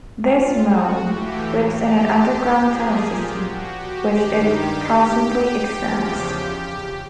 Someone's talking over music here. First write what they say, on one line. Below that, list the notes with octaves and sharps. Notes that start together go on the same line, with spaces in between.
This mole lives in an underground tunnel system, which it constantly extends.
F4
F#4
A2 E3 G4
G4
G4
A#2 F3 G#4
G4
F#4
G4
G2 D#3 G4
G4
E2 C#3 F3
G4